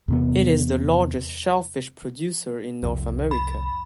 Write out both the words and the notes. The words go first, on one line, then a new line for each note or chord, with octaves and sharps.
It is the largest shellfish producer in North America.
E2 C3 B3
C2 F2
B5